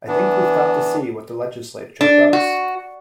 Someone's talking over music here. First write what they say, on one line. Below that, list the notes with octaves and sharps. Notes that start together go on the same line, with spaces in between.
I think we've got to see what the Legislature does.
E3 B3 D4
D4
F#4